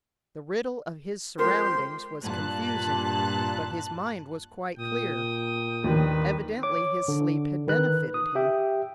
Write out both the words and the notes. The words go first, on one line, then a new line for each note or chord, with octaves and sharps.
The riddle of his surroundings was confusing but his mind was quite clear--evidently his sleep had benefited him.
F2 G#3 F4 G4 A#4 C5 C6
G2 A#2 A5 F#6
A#2 G5 D#6
D#2 D#3 D4 B4
C#5 D6
D3
D#3 B4 F#6
D#6
G4 E5 G5